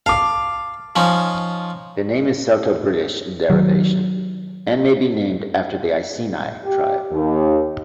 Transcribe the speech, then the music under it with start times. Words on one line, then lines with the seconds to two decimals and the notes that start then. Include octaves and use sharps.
The name is Celto-British in derivation, and may be named after the Iceni tribe.
0.06 F5 A5 D6
0.96 F3 C#4 D#4
3.50 D#3 F#3
6.64 G4
7.12 D#2